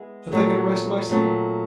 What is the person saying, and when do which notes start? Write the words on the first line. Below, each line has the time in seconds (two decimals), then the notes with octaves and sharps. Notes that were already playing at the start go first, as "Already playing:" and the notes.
"But they can arrest my son."
Already playing: G#3 B3 E4 G#4
0.32 A#2 F#3 A3 C4
1.09 A#2 F#3 A3 C4